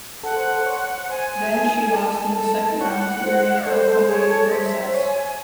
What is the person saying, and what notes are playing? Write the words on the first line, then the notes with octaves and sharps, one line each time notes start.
Then she lost in the second round to Irina Falconi in three sets.
A4 F#5
C5
A4
C5
C#5
C5 G#5
G#4
A4
G#4 A5
A4 A5
C#5 F#5
C5
A4 C5
A4
G#4 C#5
A4
C5 E5
C5
C#5 G#5